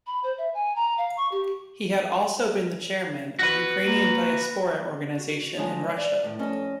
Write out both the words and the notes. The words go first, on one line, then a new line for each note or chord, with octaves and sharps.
He had also been the chairman of Ukrainian diaspora organisation in Russia.
B5
C5
E5
G#5
A#5
F5
C#6
G4
F#4 B4
A#3
F#4
D2 F3 F#3 G#3 D#5 A5
D5
A2 D#3
F2 C#4 D#5 A5